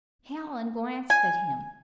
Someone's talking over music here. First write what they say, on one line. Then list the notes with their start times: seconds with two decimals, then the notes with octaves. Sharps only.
Hallen glanced at him.
1.10 G#5